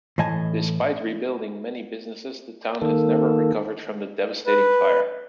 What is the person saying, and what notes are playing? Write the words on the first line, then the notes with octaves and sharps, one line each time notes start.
Despite rebuilding many businesses the town has never recovered from the devastating fire.
A2 E3 D#5 G#5 A5
D#3 A#3 A4
B4